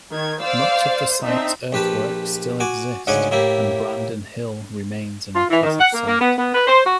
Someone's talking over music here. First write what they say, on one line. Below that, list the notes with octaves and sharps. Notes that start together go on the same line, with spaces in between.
Much of the site's earthworks still exist and Brandon Hill remains an impressive sight.
D#3 G#6
C5 D5 F5 E6
C4 D4 D#4 E5
A#1 G4 B4 A5
F#4 G#5 D6
D2 G#2 C#3 F#5 G#5 D6
A2 A#3 E4 G4
F4
E3
D#3
F#5
A#3
A#3
B3
B3
B4
C5
F#4